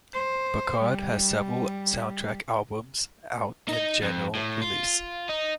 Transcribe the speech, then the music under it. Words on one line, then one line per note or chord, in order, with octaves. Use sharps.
Burkhard has several soundtrack albums out in general release.
C5
G3
D#4 D#5
F2
A2
F4
D#4